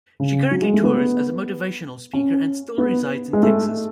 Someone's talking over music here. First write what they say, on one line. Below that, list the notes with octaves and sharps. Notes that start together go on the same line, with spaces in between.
She currently tours as a motivational speaker and still resides in Texas.
C#3
F#3
G#3
A3
B3
C#4
B3
G#3
A3